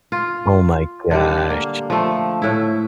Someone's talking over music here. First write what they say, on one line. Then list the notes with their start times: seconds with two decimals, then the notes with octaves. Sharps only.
Oh, my gosh.
0.12 F4
1.11 D3 G3
1.50 A#3
1.90 F3 A3
2.42 A2 E4